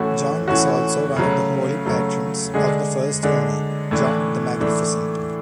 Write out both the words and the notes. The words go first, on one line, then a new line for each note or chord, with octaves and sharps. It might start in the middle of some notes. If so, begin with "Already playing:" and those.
John was also one of the holy patrons of the first owner, John the Magnificent.
Already playing: A2 E3 A3 C#4 F#4
A2 E3 A3 C#4 F#4
C#3 F#3 A3
C#3 F#3 A3
D3 G#3 D4 G#4
D3 G#3 D4 G#4
A2 E3 A3 D4
A2 E3 A3 D4